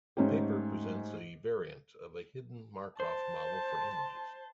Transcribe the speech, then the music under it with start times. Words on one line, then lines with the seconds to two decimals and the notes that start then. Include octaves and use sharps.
The paper presents a variant of a hidden Markov model for images.
0.17 G#2 A3 C#4 D#4 G4
3.00 C5 A5